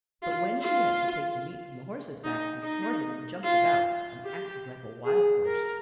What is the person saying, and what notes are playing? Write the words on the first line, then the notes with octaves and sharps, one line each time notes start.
But when she went to take the meat from the horse's back, he snorted and jumped about, and acted like a wild horse.
F4
F4
D#4
D#4
F4
G4
G#4
A#4